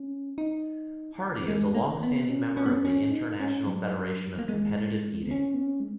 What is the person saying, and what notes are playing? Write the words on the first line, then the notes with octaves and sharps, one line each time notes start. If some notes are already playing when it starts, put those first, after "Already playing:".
Hardy is a long-standing member of the International Federation of Competitive Eating.
Already playing: C#4
D#4
G#3
A#3
B3
C#4
C#4
B3
C#4
C#4
D#4
C#4
F#3
A#3
G#3
B3
C#4
B3
C#4
G#3